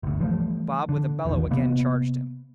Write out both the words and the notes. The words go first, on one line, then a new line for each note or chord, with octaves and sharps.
Bob with a bellow again charged him.
G1 D2
E3 F3 G3 A3
D3
E1 A#1 E2 D#3
C3 A#3 B3